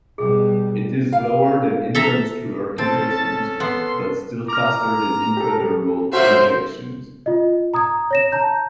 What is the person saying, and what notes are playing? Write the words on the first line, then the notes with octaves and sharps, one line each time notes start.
It is slower than intramuscular injections but still faster than intradermal injections.
B2 G3 G#4
F5
A4 E5 A#5
C4 C#4 A4 A5
B3 C6
A#5 D6 F6
G4 A4
A2 A#3 F#4 C5 E5
F4 D#5
A#5 D#6 G#6
C#5 A#6 E7
A5 A#5 G6